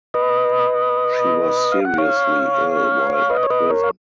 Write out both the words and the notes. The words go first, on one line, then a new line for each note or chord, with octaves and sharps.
She was seriously ill while in prison.
B4 D#5
F5
F#5
C#5 F5
B4 D#5
C#5
B4 D#5
A#4 C#5
F5